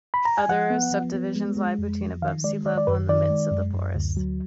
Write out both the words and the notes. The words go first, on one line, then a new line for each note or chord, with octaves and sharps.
Other subdivisions lie between above sea level in the midst of the forests.
B5
A#5
G#5
F3 F#5
B3
F3
B3
G#3
G#3
F2
F3
D#3 F5
G#3 D5
D#3 D5
D5
F#2 B4
D#3 D5
G#3
F#2
F#2
D2
F#3